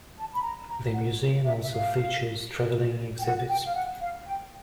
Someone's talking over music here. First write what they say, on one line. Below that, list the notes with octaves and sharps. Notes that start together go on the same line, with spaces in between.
The museum also features traveling exhibits.
A5
B5
A#5
A#5
F#5
E5
E5
F5
G5
F#5
G5
F5
F#5
F5
G5